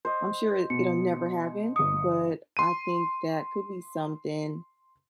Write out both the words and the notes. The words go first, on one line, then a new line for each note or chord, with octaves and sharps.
I'm sure it it'll never happen, but, I think that could be something
C5 D#5
B2 C#7
G1 D#6 C#7
C6 D#7